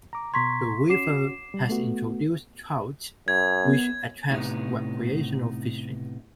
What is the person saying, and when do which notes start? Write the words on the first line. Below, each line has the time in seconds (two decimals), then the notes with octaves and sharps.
The river has introduced trout which attracts recreational fishing.
0.13 A#5 D6
0.34 B2 A#5 C6 C#6 G#6 B6
0.90 C#4 F#4 D6 C7 E7
1.54 G3
1.69 A3 B3 F#4
3.28 F#2 G#6
3.64 B3
4.30 A2 C3 B3 D#4